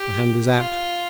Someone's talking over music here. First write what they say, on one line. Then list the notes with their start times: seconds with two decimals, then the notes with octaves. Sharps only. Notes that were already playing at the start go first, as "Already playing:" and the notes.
The hand is out.
Already playing: G4
0.57 F4